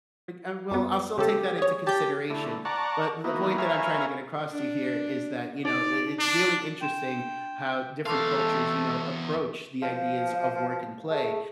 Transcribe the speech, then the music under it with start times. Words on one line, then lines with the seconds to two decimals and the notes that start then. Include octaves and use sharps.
I well, I'll still take that into consideration, but the point that I'm trying to get across to here is that, you know, i it's really interesting how different cultures, you know, approach the ideas of work and play,
0.71 F#2 B3
1.18 C#3 G4 A4
1.58 G#4 C#5
1.87 G4 A5 G6
2.30 D3 A3 E4
2.65 D5 F#5 A5 A#5 C#6
3.24 E3 A#3 B3 D#4 F#4
3.58 A#4 B4 C#5 E5 F5 G#5
4.49 D4
5.65 D#4 D5
6.19 D4
6.81 D4 G5 C6 E7
8.06 E2 A3 A4 F5 C6 D6
9.82 F3 F5
11.10 A3 G#4